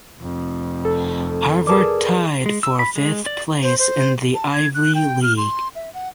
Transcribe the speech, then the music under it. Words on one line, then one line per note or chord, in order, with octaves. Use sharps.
Harvard tied for fifth place in the Ivy League.
F1 F2
A4
G#4 A#4 B4 D5 A5 D6
G#3
E6
B5
G#3
D5
C5
C5
A5
G#6
F#6
G5
F6
C6
E5
F#5